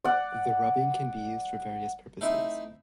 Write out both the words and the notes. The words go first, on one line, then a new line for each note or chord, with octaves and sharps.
The rubbing can be used for various purposes.
D5 F#5
A3 C4 D#4 E4